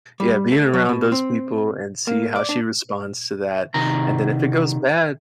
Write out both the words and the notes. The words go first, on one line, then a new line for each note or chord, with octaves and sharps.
yeah, being around those people and see how she responds to that, and then if it goes bad
G3
A3
F#3
B2
C4
A#3
D5
D4
C3 D#3 A#5